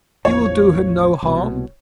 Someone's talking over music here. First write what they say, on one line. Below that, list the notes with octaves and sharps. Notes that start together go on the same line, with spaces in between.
You will do him no harm.
A1 E2 F3 C#5
C2 B2